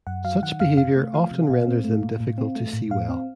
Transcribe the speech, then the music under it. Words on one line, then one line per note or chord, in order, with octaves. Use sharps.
Such behavior often renders them difficult to see well.
F#2 F#5
F#3 F5
D#3 F#5
F#2 F5
C3 F5
A3
F3 F5
C3
A#2
C4
A3
A#2
A2
C4
A3
A2
A2 F5
C4